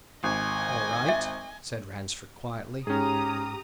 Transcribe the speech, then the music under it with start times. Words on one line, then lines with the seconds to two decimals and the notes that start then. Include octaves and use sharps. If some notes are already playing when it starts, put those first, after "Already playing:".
"All right," said Ransford quietly.
0.24 G#1 D#5 G#5
1.09 E5
2.87 G#2 C#4 G4 G#4 G5 A#5 D#6